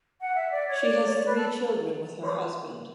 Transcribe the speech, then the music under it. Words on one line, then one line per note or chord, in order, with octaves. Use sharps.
She has three children with her husband.
F#5
E5
D5
C#5
D5
C#5
D5
B4
A4